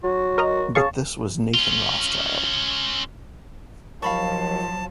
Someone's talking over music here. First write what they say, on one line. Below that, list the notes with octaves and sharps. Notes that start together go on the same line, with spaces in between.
But this was Nathan Rothschild.
F#3 F#4
A#4 D#5 A#5
C#3 G#4 F5 A5 C#6
C#4 F4
D#2 F3 F#3 F5 A5 B5 C#6